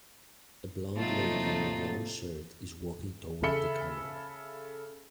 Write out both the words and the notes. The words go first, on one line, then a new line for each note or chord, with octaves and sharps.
A blond lady in a yellow shirt is walking toward the camera.
A2 C3 F#3 A3 A#3 D#4 F4 A6
C#3 A4 E5 B5 C#7 G7